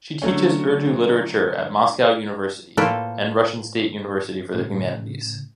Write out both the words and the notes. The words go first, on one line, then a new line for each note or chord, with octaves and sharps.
She teaches Urdu literature at Moscow University and Russian State University for the Humanities.
D3 F#3 A3 C#4
A2 A#3 F4 A4 B4 G5
A2 C#3